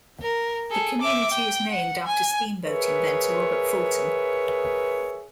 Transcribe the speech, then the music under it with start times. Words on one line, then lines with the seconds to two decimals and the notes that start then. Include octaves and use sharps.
The community is named after steamboat inventor, Robert Fulton.
0.22 A#4
0.71 G#4 A4
1.01 E5 D6
1.31 G5
1.72 F#5
2.06 G#5
2.65 G#4 A#4 B4 C#5 E5